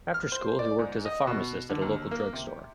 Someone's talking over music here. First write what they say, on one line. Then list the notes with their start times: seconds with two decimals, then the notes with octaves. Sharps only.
After school, he worked as a pharmacist at a local drug store.
0.14 F6
0.32 C5
0.59 D5
0.79 G#2
1.05 D#5
1.27 B2
1.69 D3
1.82 D#2
2.11 A#3
2.33 C3